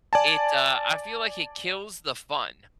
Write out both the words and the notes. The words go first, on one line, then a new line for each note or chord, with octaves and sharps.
it, uh, I feel like it kills the fun.
D5 G#5 A5